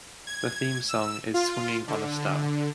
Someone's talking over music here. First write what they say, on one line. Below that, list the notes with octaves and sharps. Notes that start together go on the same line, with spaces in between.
The theme song is "Swinging on a Star".
G#6
E6
F4
D3